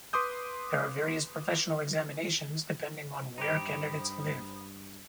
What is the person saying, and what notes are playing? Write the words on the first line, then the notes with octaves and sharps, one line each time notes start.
There are various professional examinations, depending on where candidates live.
B4 C6 D6 D#6 G6
G2 D#4 G4 C5 B5 D#6